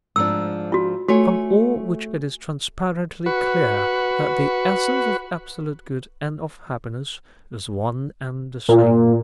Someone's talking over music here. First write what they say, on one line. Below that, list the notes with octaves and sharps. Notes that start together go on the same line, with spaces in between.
From all which it is transparently clear that the essence of absolute good and of happiness is one and the same.'
G#2 F3 D4 E6
F4 F#4
A3 F#4 C#5 G#5
F#4 B4
A#2